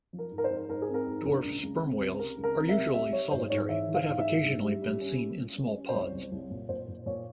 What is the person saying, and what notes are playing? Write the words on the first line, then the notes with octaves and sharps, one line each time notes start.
Dwarf sperm whales are usually solitary, but have occasionally been seen in small pods.
F3
A#4
G#2
A#4
C5
G#2
G#2 A#4
G#4
C4
A#4
G#2
A#1
C#2
C#2
C4
C#2
C3 A#4
C#2
A#4
C4
E5
C3
G3 E5
G3 C#5
G#1 C5
G#2 C#5
E3 E5
E3
F5
G#2
E5
G#2
G2
G3
G3
C#4
C#4
G3
C#4
C#4
C5
C2 C#5
C2
C2
A#2
A#2 C5
A#2
A#2 C#5